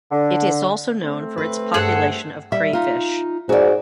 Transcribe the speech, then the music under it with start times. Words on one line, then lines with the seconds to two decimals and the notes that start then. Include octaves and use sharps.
It is also known for its population of crayfish.
0.12 D3
1.02 A3 C4
1.38 B4
1.74 G2 G#4 A4 F#5
2.52 G3 E5
2.73 D#4 F4
3.49 G#2 F#4 D5